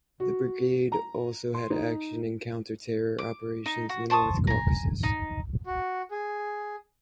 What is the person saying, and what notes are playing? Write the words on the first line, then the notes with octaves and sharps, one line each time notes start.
The Brigade Also had action in counter terror operations in the north Caucuses.
F#4
A#5
C6
D#4
D6
D#4
F#4
C5 A5 C#6 D#6
G#5 A#5
D#4
F#4
G#4